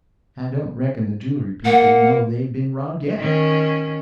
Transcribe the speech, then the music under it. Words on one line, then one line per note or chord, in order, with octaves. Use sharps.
I don't reckon the julery people know they've been robbed yet.
A#3 F#5
D#3 C#4